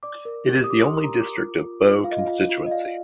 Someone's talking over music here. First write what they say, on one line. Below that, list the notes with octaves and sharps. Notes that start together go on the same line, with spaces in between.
It is the only district of Boe Constituency.
D5 D6
A#4
G4
D#6
G4 D6
C6
A#4
A#5
A#4
D6
F4
F4
F4
F4 F5
D#5
F5
F4
F4
D#5
D5 F5